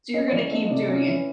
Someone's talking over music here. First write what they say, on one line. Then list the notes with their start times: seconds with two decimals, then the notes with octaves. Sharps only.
So, you're gonna keep doing it.
0.14 C#4 D#5
0.28 C#5
0.32 E3 D5
0.51 A3 D#5
0.65 D#5
0.70 C3 D5
0.89 C#4
1.08 E3